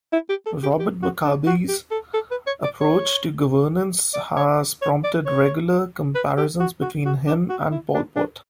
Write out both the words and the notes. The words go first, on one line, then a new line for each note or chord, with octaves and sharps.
Robert Mugabe's approach to governance has prompted regular comparisons between him and Pol Pot.
E4
G4
A4
G4
G4
F#4
D4
F#4
G4
A4
A4
B4
C#5
D5
C#5
D5
C#5
C#5
D5
C#5
B4
G4
F#4
F#4
F#4
D4
F#4
E4
D4
D4